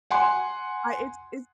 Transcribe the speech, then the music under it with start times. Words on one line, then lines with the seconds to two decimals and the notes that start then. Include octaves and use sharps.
I it's it's
0.11 F#5 G#5 C6